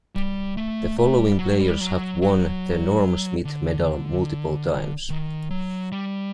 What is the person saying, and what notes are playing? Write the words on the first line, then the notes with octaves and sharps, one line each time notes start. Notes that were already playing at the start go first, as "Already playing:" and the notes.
The following players have won the Norm Smith Medal multiple times.
G3
A3
A3
G3
F#3
G3
F#3
F#3
D3
D#3
F#3
G3